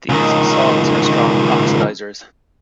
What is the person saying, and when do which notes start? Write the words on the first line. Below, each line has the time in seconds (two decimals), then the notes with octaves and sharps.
These salts are strong oxidizers.
0.09 C#2 D#3